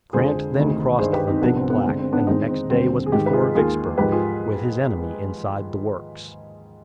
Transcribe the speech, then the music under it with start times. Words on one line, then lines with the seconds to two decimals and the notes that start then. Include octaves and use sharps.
Grant then crossed the Big Black and the next day was before Vicksburg, with his enemy inside the works.
0.13 F2 D3 G#3 G#4 C5
0.57 D2 C3 D#3
0.99 G2 D#3 G#3 G#4 C5
1.13 G4 B4
1.27 C4 D#4
1.41 C2 C3 F3 B3 D4
1.56 C4
1.70 B3
1.85 G2 D3 G#3 C4
1.99 C4
2.12 B3 D4
2.27 F2 D#3 G#3 C4 D#4
2.48 C4
2.70 D#2 D3 G3 C4
3.06 G#4
3.12 G#2 D#3 G#3 D#4 G4
3.26 B4
3.33 F4 G#4
3.55 D#2 D#3 G#3 F4 G#4
3.98 G#2 F3 G#3 G4 B4
4.12 F4 G#4